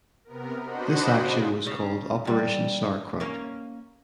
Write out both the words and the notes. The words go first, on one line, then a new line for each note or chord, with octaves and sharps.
This action was called Operation Sauerkraut.
C3 B3 A#4
D4 F#4 C5 D#5 F#5 B5
C#3
C#3
E2 G3
A#3 C#4